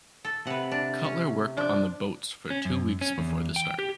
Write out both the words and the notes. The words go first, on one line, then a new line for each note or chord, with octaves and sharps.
Cutler worked on the boats for two weeks before the start.
A4
C3 B4 F#5
D4
C#4
F3 D4
C#4
F#2
C#4
E2
G5
G4